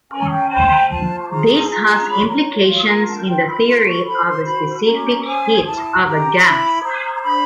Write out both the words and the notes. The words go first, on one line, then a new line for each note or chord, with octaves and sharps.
This has implications in the theory of the specific heat of a gas.
C#4 G#5
G5
C5 G5
F4 A5
A5
G#4 A#5
A5
F4 A#5
C#5 B5
A#5
F4
F5
A#4 A#5
A5
F4 G5
B5
A4 C6
C#6
C5 B5
C6
F#4 B5
C#4 A#5
C5 G#5
E4 A5
G4 A#5
E4 B5
C5 A#5
A#5
D4 B5